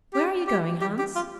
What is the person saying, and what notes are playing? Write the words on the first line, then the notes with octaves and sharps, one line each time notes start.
'Where are you going, Hans?'
G4
G4
G4
G4
F4